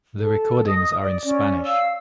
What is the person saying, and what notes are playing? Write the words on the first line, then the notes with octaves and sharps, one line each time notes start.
The recordings are in Spanish.
A4
D#5 D#6
D5
C#4 D5
F5 E6